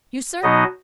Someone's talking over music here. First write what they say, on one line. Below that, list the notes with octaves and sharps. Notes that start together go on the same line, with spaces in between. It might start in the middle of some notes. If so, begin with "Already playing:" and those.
You, sir?
B2 F#3 B3 D#4 D#5